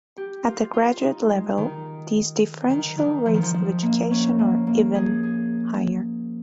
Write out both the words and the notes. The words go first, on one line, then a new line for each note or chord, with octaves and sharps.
At the graduate level, these differential rates of education are even higher.
G4
F4
F4
D#4
G#3
D#3
D#3
D#3
F3
D#3
F3
F3
A#3
C#4
A#3
A#3
G#4
G#4